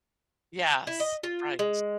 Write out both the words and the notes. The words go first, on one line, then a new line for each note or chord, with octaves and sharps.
Yes. Right.
E4
D#5
F4
G#3